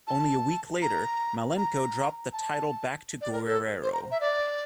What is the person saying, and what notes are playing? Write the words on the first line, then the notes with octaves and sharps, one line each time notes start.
Only a week later, Malenko dropped the title back to Guerrero.
A5
A#5
A#5
A5
D5
A#4
A4
C5
A#5
E5
D5